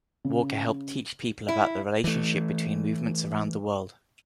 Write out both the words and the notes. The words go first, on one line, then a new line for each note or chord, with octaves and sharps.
Walker helped teach people about the relationship between movements around the world.
C#3
E4
E3 A3